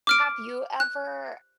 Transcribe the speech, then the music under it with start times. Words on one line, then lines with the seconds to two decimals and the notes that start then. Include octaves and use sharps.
Have you ever
0.07 D6 F6 D7
0.80 F#6